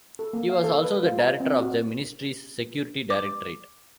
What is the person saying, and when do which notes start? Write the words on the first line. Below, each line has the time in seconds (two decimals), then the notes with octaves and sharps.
He was also the director of the ministry's security directorate.
0.19 A4
0.33 A#3
0.49 F5
0.64 A4
0.82 B4
1.03 F4
1.19 A#5
1.40 C4
1.61 F#4
3.10 D6